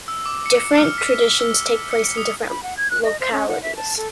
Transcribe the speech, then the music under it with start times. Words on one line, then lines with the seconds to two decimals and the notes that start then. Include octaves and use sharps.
Different traditions take place in different localities.
0.08 E6
0.26 D6
0.46 C#7
0.78 F6
0.98 B6
1.21 G7
1.40 E6
1.91 C#7
2.17 D#6
2.48 B5
2.63 F#5
2.77 G#6
2.91 F#6
3.04 D#5
3.20 C5
3.33 C#4
3.48 F#5
3.62 E5
3.76 A5
3.97 A4